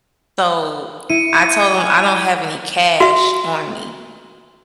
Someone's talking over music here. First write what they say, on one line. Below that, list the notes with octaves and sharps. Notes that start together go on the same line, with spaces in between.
so I told him, "I don't have any cash on me,"
E4 C#7 D#7
G#5
F#4 E5